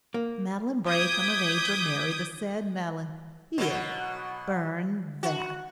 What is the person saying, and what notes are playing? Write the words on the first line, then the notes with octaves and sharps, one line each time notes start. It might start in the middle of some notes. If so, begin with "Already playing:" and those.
"Madeline Bray--come of age or marry--the said Madeline"--here, burn THAT!'
A#3
D6 D#6 G6 G#6 B6
B2 F#3
F#4